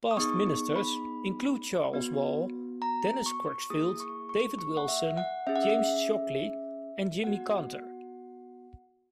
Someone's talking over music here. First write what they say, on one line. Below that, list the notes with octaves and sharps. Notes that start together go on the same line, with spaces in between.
Past Ministers include Charles Wall, Dennis Crutchfield, David Wilson, James Shockley and Jimmy Canter.
D#6
B3 D#4 G#4 C#6
C#6
B5
B3 F#4
A#5
C#6
A#3 E4 G#4 D#6
C#6
C#6
C#6
F#5
E5
F#5
C#4 G#4 E5
F#5
E5
B3 F#4 F#5